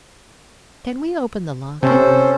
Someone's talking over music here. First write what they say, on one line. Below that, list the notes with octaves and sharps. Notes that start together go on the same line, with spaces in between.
Can we open the locket?
C3 C#4 A4 C5